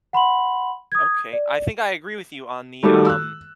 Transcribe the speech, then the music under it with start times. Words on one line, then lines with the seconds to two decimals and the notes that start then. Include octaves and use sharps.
okay I think I agree with you on the, um,
0.13 F#5 B5 C6 F#7
0.92 D#6 G#6
1.33 D5
2.83 D#3 G3 A3 F#4 G4 A4
3.07 E6 F#6